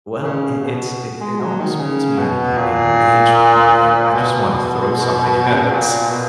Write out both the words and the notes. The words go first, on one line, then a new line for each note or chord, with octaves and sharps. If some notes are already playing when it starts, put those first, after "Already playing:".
Well, it it's it it almost puts me in in in rage mode, and I just wanna throw something at it. So
C#3
B2
G#3
F#3
D#3
C#3
B2
A#2
B2
C#3
B2
A#2
B2